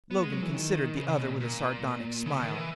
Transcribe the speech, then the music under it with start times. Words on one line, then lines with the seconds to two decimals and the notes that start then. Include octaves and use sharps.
Logan considered the other with a sardonic smile.
0.11 B3
0.22 G#3
0.32 F#3
0.43 E3
0.54 D#3
0.97 C#3
1.08 C#3
1.19 B2
1.29 A#2
1.40 A#2
2.26 C#3
2.41 D#3
2.54 E3